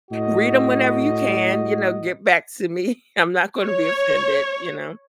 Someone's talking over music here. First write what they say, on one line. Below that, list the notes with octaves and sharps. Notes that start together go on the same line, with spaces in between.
Read 'em whenever you can, you know, get back to me. I'm not gonna be offended," you know.
A2 F#4 D#5
C#5